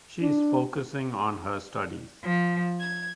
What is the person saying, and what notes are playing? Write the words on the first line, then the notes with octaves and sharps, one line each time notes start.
She's focusing on her studies.
D4
F3
G#6